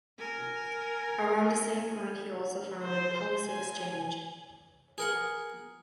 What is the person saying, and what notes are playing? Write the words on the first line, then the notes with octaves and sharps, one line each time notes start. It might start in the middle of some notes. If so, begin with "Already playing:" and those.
Around the same point he also founded Policy Exchange.
A#4 G#5
C5
G#5
G#4 A#4 F#5